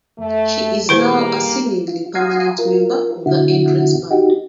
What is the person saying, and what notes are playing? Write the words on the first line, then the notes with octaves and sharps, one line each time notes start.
She is now a seemingly permanent member of the Entrance Band.
F2 A3
A#2 D#3 G3 A#3 E4 G#4 B4 C5
F4
F5 F#5 G#5 A#5 C6 D#6
F4 A#4
B2 D3 E4 F#4
D#4 F#4 G4